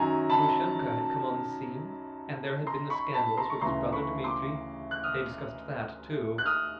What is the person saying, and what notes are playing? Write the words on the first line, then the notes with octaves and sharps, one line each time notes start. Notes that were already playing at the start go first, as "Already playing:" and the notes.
Grushenka had come on the scene, and there had been the scandals with his brother Dmitri--they discussed that, too.
Already playing: F#2 D#3 F#3 G#5 A#5
A5 B5
A#5 C6
B5 C#6
A5 B5
A#5 C6
C#6
D2 C#3 E3 A#5 C6
B5 C#6
C6 D6
F#6
D#6 F6
F#6
D#6 F6